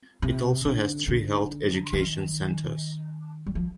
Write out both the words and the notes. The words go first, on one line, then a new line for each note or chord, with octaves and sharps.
It also has three health education centers.
C3
D3
D3
D#3
G3
F3